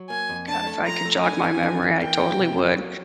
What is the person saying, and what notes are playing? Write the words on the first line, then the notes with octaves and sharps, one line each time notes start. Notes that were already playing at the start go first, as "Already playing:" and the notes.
god, if I could jog my memory, I totally would.
Already playing: F#3
A#3 G#5
F2
D4 A5
A3
F3 A#5
A3
D4 G#5
E3
D4
E3
A#3 G5
F#3
C3
A#3
F#3